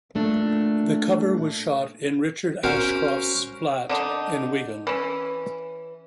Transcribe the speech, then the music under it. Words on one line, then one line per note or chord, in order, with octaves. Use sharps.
The cover was shot in Richard Ashcroft's flat in Wigan.
A#2 A3 D4
C#4 F#4 A#4 C5
D3 D4 D#4
E3 C#4